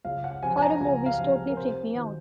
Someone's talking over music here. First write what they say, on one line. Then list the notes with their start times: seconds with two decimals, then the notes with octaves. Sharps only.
Horror movies totally freak me out.
0.05 C#2 F5
0.24 F#5
0.43 C3 F3 G#5
0.58 G#5
0.62 A#5
0.80 C#2 G#5
1.06 F5
1.18 C3 F3
1.50 A#4
1.57 C3 C5
1.95 D#3 F#3